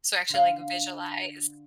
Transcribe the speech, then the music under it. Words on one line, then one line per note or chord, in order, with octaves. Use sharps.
So actually, like, visualize
D3 F5